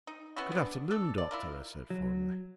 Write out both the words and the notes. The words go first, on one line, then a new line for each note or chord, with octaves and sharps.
"Good afternoon, Doctor," I said formally.
D#4
B3 C#4 E4 F#4
B3 D4
D4 A4
D5
E4 F4 A#4
F#3